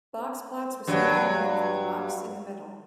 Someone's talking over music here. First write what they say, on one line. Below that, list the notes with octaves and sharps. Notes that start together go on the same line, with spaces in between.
Box plots received their name from the box in the middle.
G2 F#3